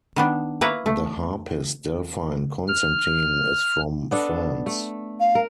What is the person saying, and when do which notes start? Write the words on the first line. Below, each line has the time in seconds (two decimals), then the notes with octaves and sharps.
The harpist Delphine Constantin is from France.
0.16 D#3 B3 D4
0.61 A#3 E4 B4 C#5 A#5
0.86 A3
2.68 F6
4.11 B3 D4 A4
4.66 A3
5.20 F5
5.35 A#4